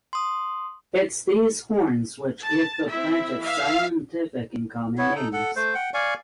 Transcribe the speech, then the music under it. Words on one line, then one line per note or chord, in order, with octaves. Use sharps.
It is these horns which give the plant its scientific and common names.
C6 D#6
A5
C4 E4 E5
E3 E5 F5
B3 E4 C#5
D#4 A4
A4 F#5
A3 C5
F#5 G5
D5 F5 G#5 C#6